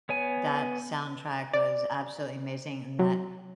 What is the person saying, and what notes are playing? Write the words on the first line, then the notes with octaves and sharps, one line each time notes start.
that soundtrack was absolutely amazing in that
B3 C#5 G#5
D5
F#3